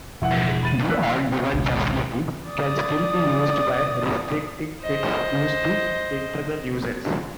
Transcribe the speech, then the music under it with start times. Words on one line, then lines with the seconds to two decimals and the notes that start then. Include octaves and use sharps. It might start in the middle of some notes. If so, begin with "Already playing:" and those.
The on-demand facility can still be used by restricting its use to internal users.
0.22 E1 F3 E4 F#5
0.63 B5 A6 D#7
0.89 E3 E6 F#6 B6
1.53 G#1 C#2 B2
2.50 D5 D#6
4.82 C5 D#5